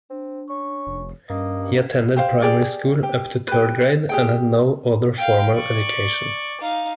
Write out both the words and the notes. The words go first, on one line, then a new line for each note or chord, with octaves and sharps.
He attended primary school up to third grade and had no other formal education.
C4 D4
C#4 C#6
F1
G2 A#3 C#4 D#5
G4 C5 F5
G4 G#4 D5
G4
G4 B4
G4 G#4 G5
F5 G5
D5 C#6
D#4 F5